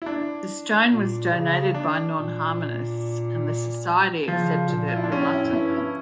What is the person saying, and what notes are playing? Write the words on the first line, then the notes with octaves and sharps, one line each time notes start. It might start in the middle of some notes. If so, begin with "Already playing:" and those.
The stone was donated by Non-Harmonists, and the Society accepted it reluctantly.
E4
D4
A#2
C#3
D4
A#2
C#3 F3
A#2
F4
E4
D4
A2 C#4
E4
F2
G2 E4
E4